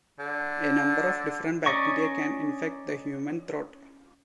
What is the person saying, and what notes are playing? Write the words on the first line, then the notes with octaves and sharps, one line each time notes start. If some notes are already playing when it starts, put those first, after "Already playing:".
A number of different bacteria can infect the human throat.
D3
C#4 D5 D#5 A#5 C#6